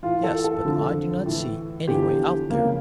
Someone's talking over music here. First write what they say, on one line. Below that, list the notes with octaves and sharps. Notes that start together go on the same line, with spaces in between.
"Yes, but I do not see any way out there."
A2 E3 F4
A4
A4
F2 D3 F3
A2 E3
E2 D3 F3 G4
F2 C#3 F3 A#3